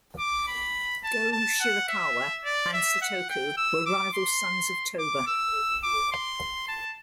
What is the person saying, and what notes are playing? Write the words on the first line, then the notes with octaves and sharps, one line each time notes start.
Go-Shirakawa and Sutoku were rival sons of Toba.
D6
B5
A5
A5
F#5
E5
D5
E5
F#5
G5
E6
D6
C6
D6
E6
D6
C6
A5